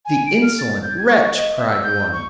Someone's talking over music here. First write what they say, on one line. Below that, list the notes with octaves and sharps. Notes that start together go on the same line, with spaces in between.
"The insolent wretch!" cried one.
G#5
D7
F6
A6
G6
G#6
C#6
D#5
E5
E6
G6
C#6